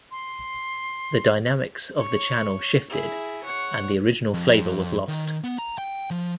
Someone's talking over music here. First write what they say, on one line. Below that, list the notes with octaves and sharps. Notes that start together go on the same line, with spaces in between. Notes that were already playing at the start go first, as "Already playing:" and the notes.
The dynamics of the channel shifted and the original flavor was lost.
C6
C#5
E4 G#4
C#5 F#5
F2
D#3
B3
A#5
G5
F3